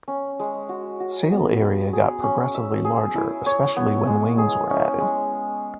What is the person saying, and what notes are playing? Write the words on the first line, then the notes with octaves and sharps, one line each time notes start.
Sail area got progressively larger especially when wings were added.
C#4
G#3
F#4
F#4
B3
B4
G#4
C#4
E5
G#4
E4
C#5
B3
G#3
G#4
C#4
G#3